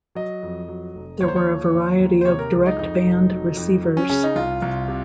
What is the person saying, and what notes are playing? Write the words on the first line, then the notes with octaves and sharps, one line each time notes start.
There were a variety of DirectBand receivers.
F#3 D#5
F2
F#3
F1
D#2 C#5
C5
C#5
F3
D#2
D#2
C5
C3 C#5
A#4
C#2
D#4
F2 D#4
F1
F#3
F2
F#3
C#4
C#3 C#4
D#4
C2 F4
C2
C3